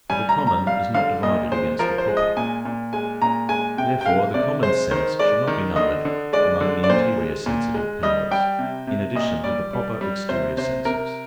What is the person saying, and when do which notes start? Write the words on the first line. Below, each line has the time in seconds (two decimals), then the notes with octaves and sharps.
For the common is not divided against the proper. Therefore the common sense should not be numbered among the interior sensitive powers, in addition to the proper exterior senses.
0.10 G3 G#5
0.29 A#5
0.38 G3
0.47 A#5
0.67 G3 F5
0.94 D3 F5
1.23 A#2 D#5
1.51 G#3 C5
1.79 F3 A#4
1.98 C5
2.08 G#3
2.17 D#5
2.37 A#2 G#5
2.65 A#2
2.93 G#3 G#5
3.22 A#2 A#5
3.49 G#3 G#5
3.77 C3 G5
4.01 G5
4.06 G#3 F5
4.34 C3 D5
4.62 G#3 C5
4.91 D#3 C5
5.19 G#3 D5
5.47 D#3
5.76 D3 D#5
6.05 D3
6.33 G#3 D5
6.61 D3
6.84 D5
6.90 A#2 C5
7.18 G#3
7.46 A#2
7.74 G#3
8.03 G3 D#5
8.31 G3 G5
8.59 C3
8.87 C3
9.15 A#2 D#5
9.44 G3 D5
9.73 G3
10.01 G3
10.29 C3 C5
10.57 C3 C5
10.85 C3 A#4